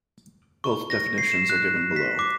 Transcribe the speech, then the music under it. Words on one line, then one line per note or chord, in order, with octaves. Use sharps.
Both definitions are given below.
C#6
A#6
C7
E7
F#6
B6
D6